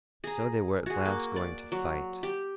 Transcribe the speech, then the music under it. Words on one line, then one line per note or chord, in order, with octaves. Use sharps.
So they were at last going to fight.
G#4 A#5
F#4 G#4
A#3
D5
F#3
G4